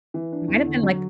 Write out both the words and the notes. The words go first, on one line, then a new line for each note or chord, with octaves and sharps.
It might've been, like
E3
D4
E2
D3
F#3